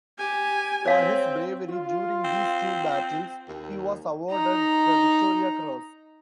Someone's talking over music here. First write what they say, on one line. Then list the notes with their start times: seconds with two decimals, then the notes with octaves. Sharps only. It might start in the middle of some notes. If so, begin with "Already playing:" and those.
For his bravery during these two battles, he was awarded the Victoria Cross.
0.19 G4 G#5
0.86 C4 C#5 F5
1.69 F4
2.24 C4
3.48 D#2
4.31 D#4 A#5